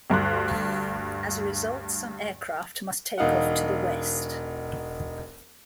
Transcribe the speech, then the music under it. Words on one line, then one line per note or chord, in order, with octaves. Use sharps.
As a result, some aircraft must take off to the west.
D2 G2 C6 F#6
E1 D#4 F5 F#5